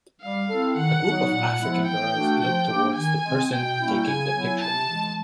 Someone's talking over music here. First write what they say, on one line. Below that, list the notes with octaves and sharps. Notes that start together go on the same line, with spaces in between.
A group of African girls look toward the person taking their picture.
G3 F5
C4 E4 A4
D#3 F#5
F#3 B3 D#4 F#4
A#2 F#5
F3 G#3 B3 E4
E3 G5
A3 D4 F#4 A4
F3 G5
A#3 D4 G4
D#3 G#5
G#3 C4
B2 G5
G3 A#3 C#4 E4
C#3 G#5
F#3 B3 E4
C3 A5
E3 G#3